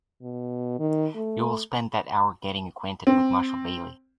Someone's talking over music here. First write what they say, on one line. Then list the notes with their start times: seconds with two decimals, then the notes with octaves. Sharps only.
You will spend that hour getting acquainted with Marshall Bailey.
0.23 B2
0.79 D#3
1.15 A3
3.07 C4